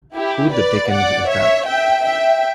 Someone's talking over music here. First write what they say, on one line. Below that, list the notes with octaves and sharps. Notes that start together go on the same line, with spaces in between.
Who the dickens is that?
E4 G4
B4 D5
D5 F#5
C#5 E5
E5 G5
E5 G5